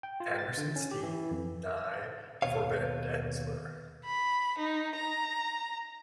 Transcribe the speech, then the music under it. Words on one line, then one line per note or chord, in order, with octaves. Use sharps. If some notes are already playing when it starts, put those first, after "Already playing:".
Andersen, Steen: Nye forbindelser.
G5
F4
A6
D3
C#4
G4
E3
F2
D#2 B2 B4 C#5 F5
B5
D#4
A#5